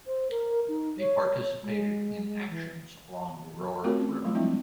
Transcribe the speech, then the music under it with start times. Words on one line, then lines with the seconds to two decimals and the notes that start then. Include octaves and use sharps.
They participated in actions along the Roer River.
0.07 C5
0.31 A#4
0.68 D#4
1.00 C#5
1.62 G#3
2.49 E3
3.84 A3 C4 F4 F#4 A#4 C#5
3.99 C#4
4.23 F#3 G3 A3 F4
4.35 F3 G3 G#3 C4 D4 E4